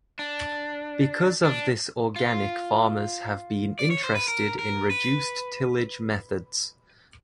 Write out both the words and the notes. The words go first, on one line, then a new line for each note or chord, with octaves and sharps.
Because of this organic farmers have been interested in reduced-tillage methods.
D4
D4
F4
D5
C#5
C5
B4
A#4
A#4
B4